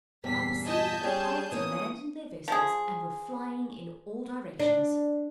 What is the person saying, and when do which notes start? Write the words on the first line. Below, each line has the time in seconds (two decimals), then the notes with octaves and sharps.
I perceived that the pirates abandoned their vessels, and were flying in all directions.
0.24 E2 G2 A#2 B6 C7
0.65 D#5 G#5 A5 G6 B6
1.03 G3 C#4 G#4
1.52 E3 A#3 C#4 D#6
2.48 F3 G#4
4.60 D4